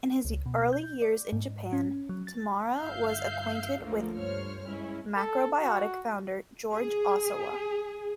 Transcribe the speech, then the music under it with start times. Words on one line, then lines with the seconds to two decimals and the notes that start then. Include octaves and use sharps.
In his early years in Japan, Tamura was acquainted with macrobiotic founder George Osawa.
0.25 C#2
0.46 B2
0.73 G6
1.02 D5
1.32 G#2
1.73 C#4
2.09 F#3
2.27 A6
2.79 G1 E5 F5 G6 C7
3.80 C#2 D3 F3 A3 A#3
4.15 G2 C5 C#5 F6
4.67 G#3 C#4 E4
5.16 A4
5.60 F#4
6.72 G#4